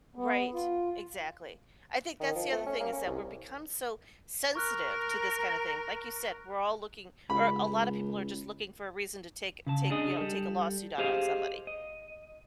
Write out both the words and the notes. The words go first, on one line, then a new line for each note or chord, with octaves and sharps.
Right. Exactly. I think that's the other thing is that we're become so sensitive to this kinda thing, like you said, we're all looking or a lotta people are just looking for a reason to take take, you know, take a lawsuit out on somebody.
B3
F4
D#3
F3
A3
C#4
A#3
C#4
C2
A#4 C#6 F6 F#6
C#2 B5
C#3 A5
D4 G#4 D#5
G3 A4
G4 G#4 C5 D#5 F5
D#5